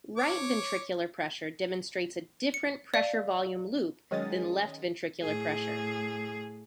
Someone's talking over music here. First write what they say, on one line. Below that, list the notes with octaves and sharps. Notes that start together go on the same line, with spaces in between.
Right ventricular pressure demonstrates a different pressure-volume loop than left ventricular pressure.
C#5 D6
C#7
D5 F5
D#3 F#3 G#3 C#4 D#6 A6
A2 G#4